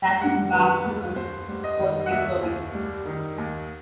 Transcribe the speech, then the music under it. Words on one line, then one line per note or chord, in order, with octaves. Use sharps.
Lachit Barphukan was victorious.
G3 F#5
D#3 B4
D#2
D#2 C5
G3
D#5
D#3
F#5
D#2 E5
D#2
G3
D#3
D#2